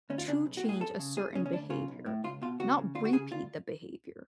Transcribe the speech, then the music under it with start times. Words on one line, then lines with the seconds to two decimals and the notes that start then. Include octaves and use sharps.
to change a certain behavior, not repeat the behavior.
0.10 D2 C#4
0.18 F4
0.28 C#3 D4
0.45 B1
0.57 F#4
0.63 A2
0.69 G#4
0.81 F#2 A4
0.99 C#3
1.16 F#2 G#4
1.35 C#3 C#4
1.46 C#4
1.52 D2 D4
1.70 C#3 F4
1.88 B1
2.06 A2
2.24 C#2 F4
2.42 B2 F4
2.60 C#2 F#4
2.78 C#3
2.95 D2 F4
3.05 F#4
3.13 C#3 G#4
3.31 D2 F4